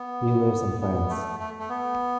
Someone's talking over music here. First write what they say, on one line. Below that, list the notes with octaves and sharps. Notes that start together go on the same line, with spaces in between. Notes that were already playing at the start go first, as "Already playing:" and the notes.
He lives in France.
Already playing: B3
B3
A3
A3
A3
B3